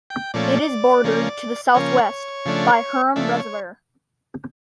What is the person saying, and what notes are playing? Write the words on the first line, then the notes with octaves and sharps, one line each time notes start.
It is bordered to the southwest by Hyrum Reservoir.
G5
A#2 F3 A3 C#4 D5
C#3 F3 A#3 C#4
C#3 F3 A#3 C#4 C#5
C#3 F3 A3 D4
C#3 F3 A3 D4 E5
C#5